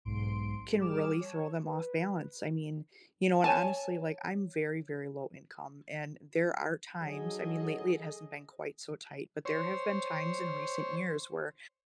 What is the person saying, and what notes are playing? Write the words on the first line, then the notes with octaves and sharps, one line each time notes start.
can really throw them off balance. I mean you know, and honestly, like, I'm very, very low income, and there are times- I mean, lately, it hasn't been quite so tight- but there have been times in recent years where
B1 G#2 C6 D7
G3 G#4 D6 F6 E7
C#5 A5
B4
C#5 G#5 A5
F#3 D#4 G#4 A4 D#5
C5 C#5